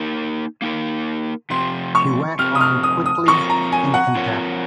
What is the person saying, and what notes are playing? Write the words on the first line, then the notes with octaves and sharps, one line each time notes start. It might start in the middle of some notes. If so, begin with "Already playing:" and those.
She went on quickly, in contempt.
Already playing: A#3 D#4 A#4
A#3 D#4 A#4
C3 F3 C4 C6
C#6
C3 F3 C4 F6
D#6
F6
D#6
D#6
F3 C4 F4 A#4 C#5 C#6
A#5
G#5
F#5
F3 C4 F4 A#4 C#5